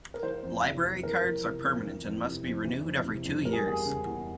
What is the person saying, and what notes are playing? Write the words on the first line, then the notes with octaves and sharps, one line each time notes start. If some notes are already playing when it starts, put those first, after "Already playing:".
Library cards are permanent and must be renewed every two years.
A#4
E3 C5
F2
C3
F2
E3 A#4
F2
C3
F2
E3
F2
C3
F2
E3
F2
C3
F2
G3 A#4
G#4
E2 G#4
C#3
E2